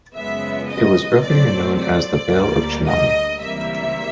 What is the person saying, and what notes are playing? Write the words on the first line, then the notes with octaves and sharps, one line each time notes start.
It was earlier known as the Vale of Chamouni.
F#2 C#3 F3 G#3 B3 E5
D#5
A2 F#3 A3 C4 D5
D5
D2 D3 G3 A#3
D#5
C#2 C3 E3 G3 A#3 E5